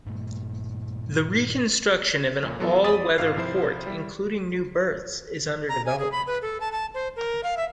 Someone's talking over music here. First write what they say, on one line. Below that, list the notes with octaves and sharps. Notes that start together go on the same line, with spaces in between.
The reconstruction of an all weather port including new berths is under development.
G2 A#2 A3
F2 A#2
E3 F#3 B3 F4 A4
F2 D5 B5 D#6 A6 D#7
G#1 G#2 F4 F5 F6 C7
C3 F3 E4 C5 C7
G3 E4
A#5
G#5
G#4
B5
B4
A4
A5
A5
C5
A#4
F5
E5